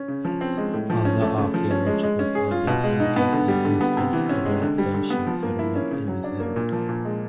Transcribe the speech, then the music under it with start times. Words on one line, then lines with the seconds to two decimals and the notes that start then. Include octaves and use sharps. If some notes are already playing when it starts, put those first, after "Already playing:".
Other archaeological findings indicate the existence of a Dacian settlement in this area.
Already playing: C#4
0.08 C#3
0.25 F3
0.41 C4
0.57 G#3
0.74 A2
0.90 F3
1.05 C#4
1.22 A3
1.38 C#3
1.54 F3
1.71 C#4
1.86 G#3
2.03 G#3
2.19 C#4
2.35 G#4
2.51 F4
2.67 B2
2.83 G#3
3.00 D#4
3.16 B3
3.33 D3
3.48 G3
3.65 D3
3.81 B3
3.97 C3
4.13 E3
4.29 C#4
4.46 G#3
4.62 D3
4.78 G3
4.94 D3
5.10 B3
5.27 F3
5.43 A#3
5.59 E4
5.75 C#4
5.91 C#3
6.08 F#3
6.24 D4
6.40 A#3
6.56 A#2
6.72 F3
6.89 A#2
7.05 G#3